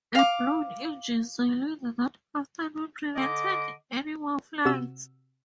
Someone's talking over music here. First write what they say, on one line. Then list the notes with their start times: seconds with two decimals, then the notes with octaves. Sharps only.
A blown engine cylinder that afternoon prevented any more flights.
0.15 F5 D6
3.16 D3 D#5 D6
4.65 C3 F#4 E6